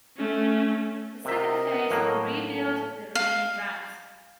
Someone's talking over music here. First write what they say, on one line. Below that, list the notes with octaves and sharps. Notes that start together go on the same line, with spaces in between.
The second phase will rebuild the remaining ramps.
A3 C#4
C3 A#4 D#5 E5
A2 F#3 A#3
A4
F5